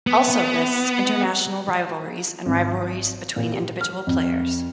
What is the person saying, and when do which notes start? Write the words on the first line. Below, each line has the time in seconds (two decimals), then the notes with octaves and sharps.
Also lists international rivalries and rivalries between individual players.
0.07 B3
2.46 G#1
3.36 A#2
3.53 G4
3.81 F6
4.07 F2